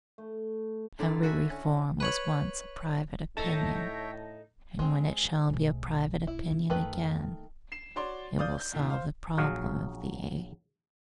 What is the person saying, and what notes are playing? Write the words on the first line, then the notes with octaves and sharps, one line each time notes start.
Every reform was once a private opinion, and when it shall be a private opinion again it will solve the problem of the age.
A3
D3 D#3 E4 F4 D5
F#4 E5 G#5
C#4
B4 C#5 B5
A2 D#4 A4 C#5 E5 G5 A5 A#6
G#3 B3 C4
D4
B1 A3
E4
C#3 D4
F2 D3 D#3 A3 B4
C7 E7
F#4 C#5 D5 C6 D6
D5 F5 D#6 G6
G6
E2 A#2 D#3
C5 F5
A#1 F#3 F#4 G#4 F5